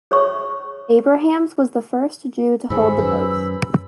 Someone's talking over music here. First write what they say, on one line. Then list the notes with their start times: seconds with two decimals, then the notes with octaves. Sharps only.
Abrahams was the first Jew to hold the post.
0.11 G#4 C#5 E5 C#6
2.70 G#2 D#3 G#4 C5 G#5 B5 E6
2.98 F#2 B4